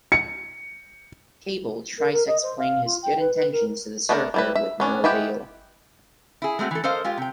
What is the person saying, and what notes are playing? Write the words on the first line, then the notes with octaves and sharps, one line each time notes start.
Cable tries to explain his good intentions to the Surfer with no avail.
C#7
A#4
A#4
D#5
C5
F5
F4
G5
B4
B4
A#4
A3 B3 D4 F#4 A#4
G3 E4 B4
E5
B3 C#4 D4
G#3 B3 E4 G4
E4 G#4
G#3 A3 C4 F#4
E3 A4
A4 A#4 C5 D#5 F5
G#3 F4 G4
C3 G5